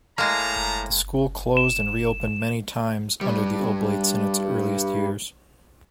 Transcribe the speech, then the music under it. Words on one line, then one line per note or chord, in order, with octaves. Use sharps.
The school closed and re-opened many times under the Oblates in its earliest years.
A2 G#3 A#3 A5 A#5
E7
G2 G3